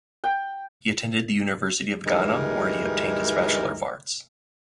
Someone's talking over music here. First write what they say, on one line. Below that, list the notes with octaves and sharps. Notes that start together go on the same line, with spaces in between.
He attended the University of Ghana where he obtained his Bachelor of Arts.
G5
D2 G2 E3 G#3 D#4 A#4